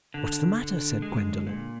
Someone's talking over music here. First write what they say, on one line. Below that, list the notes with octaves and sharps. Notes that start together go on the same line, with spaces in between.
"What's the matter?" said Gwendolen.
D3
D3
G#3
A#2